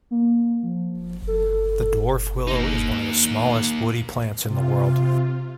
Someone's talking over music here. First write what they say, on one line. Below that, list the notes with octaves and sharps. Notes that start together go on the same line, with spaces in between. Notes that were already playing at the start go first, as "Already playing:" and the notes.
The dwarf willow is one of the smallest woody plants in the world.
A#3
F3
A4
A#3 D#4
C3 F4